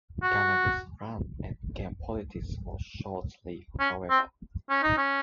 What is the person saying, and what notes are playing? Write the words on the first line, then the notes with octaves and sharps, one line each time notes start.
Gallagher's run at GamePolitics was short-lived, however.
F#4
C#4
C4
C#4
D#4
C#4